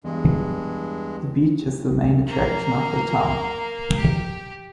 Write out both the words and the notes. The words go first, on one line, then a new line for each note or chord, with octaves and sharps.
The beach is the main attraction of the town.
E2 G2 G#3
A#3 A#5
G4